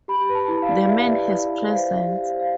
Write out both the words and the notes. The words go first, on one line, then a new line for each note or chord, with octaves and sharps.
The man has presence.
G4 B5
B4
A5
E4
F5
D5
G4 E5
D5
B4 E5
E4 E5
D5
C5 F5
G4
E5
G4
F5
C5
F5